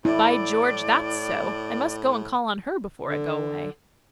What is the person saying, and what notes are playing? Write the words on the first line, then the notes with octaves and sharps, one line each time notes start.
"By George, that's so, I must go and call on her before I go away."
A2 E4 D5
D3